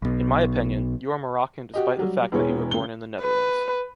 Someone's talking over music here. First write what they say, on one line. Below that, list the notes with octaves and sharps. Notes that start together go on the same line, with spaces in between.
In my opinion, you are Moroccan despite the fact that you were born in the Netherlands.
B1 B2
F#4 G4 D#5
F#3 G3
E1 E2 E3 G#3 B3 C#5
C#2 G7
B4